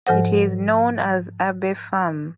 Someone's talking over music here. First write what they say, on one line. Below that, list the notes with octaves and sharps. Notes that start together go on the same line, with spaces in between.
It is now known as Abbey Farm.
G#2 F3 A4 C5 F#5